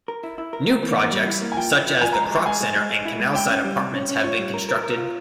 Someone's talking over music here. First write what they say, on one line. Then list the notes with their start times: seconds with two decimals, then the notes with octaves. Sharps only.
New projects, such as the Kroc Center and Canalside Apartments have been constructed.
0.08 A#4
0.24 E4
0.38 E4
0.53 A#4
0.67 A#3
0.83 E3
0.97 A#3
1.12 G3
1.27 E4
1.42 A#3
1.52 G#5
1.57 F3 G5
1.71 E4
1.87 F3
2.01 F3 G#5
2.13 A#5
2.16 G#3
2.24 A#5
2.31 G#3 C6
2.46 G#3 G#5
2.61 G#3
2.75 G#3
2.91 G#3
3.05 E4
3.20 G#3
3.35 E4 G5
3.50 C#4
3.65 G3
3.79 C3
3.94 C#4
4.09 C#4
4.24 F4 C#5
4.39 G3
4.54 A#4
4.69 A#4
4.83 A#4
4.98 F4